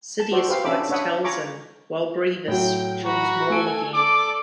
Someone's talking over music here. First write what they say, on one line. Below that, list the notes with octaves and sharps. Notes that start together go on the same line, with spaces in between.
Sidious fights Talzin while Grievous duels Maul again.
A5
F#4 A4 C5 D5
G4 B4 C5 F5
C#4 D4 A4 B5 D6
D4 C#5 E5 F#5 B5 D#6
F4 G#5 A#5 B5 C#6 D6
A2 F#3 G5
F#4 A#5 B5
A3 A4 G#5 D7
A4 D5 D6